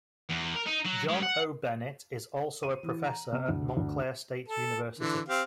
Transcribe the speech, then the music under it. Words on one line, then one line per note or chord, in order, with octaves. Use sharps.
John O. Bennett is also a professor at Montclair State University.
E2
A#4
D#4
F#3
G#3 C#4
F#5
D#7
E3
A#5
C3
D2
D2
A4
D3 E3
C4 G4 F5